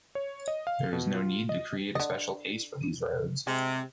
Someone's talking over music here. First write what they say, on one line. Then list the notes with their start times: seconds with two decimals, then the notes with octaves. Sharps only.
There is no need to create a special case for these roads.
0.15 C#5
0.48 D#5
0.67 F5
0.93 B2
1.14 F4
1.49 D#5
1.95 D3 D#5
3.47 C3 G#3